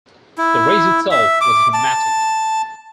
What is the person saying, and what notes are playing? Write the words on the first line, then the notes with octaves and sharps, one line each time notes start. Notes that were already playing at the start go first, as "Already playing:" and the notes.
The race itself was dramatic.
E4
E5
D6
A5